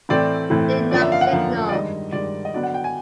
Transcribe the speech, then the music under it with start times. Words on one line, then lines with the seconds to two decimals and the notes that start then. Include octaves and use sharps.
Do not signal.
0.09 A2 E3 A3 C4 D5
0.50 A2 E3 A3 C4
0.91 F2 D3 F3 A#3 C#4 D5
1.02 E5
1.12 F5
1.21 F#5
1.31 F2 D3 F3 A#3 C#4 F5
1.69 D5
1.72 G2 D#3 G#3 D#5
2.12 G2 D#3 G#3 D5
2.45 D#5
2.54 D3 F#3 B3 D5
2.63 F#5
2.74 G5
2.84 G#5